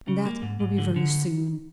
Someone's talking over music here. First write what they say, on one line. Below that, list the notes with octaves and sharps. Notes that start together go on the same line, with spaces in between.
And that will be very soon.
C#3
A#3
G#2
G#2
D3
D3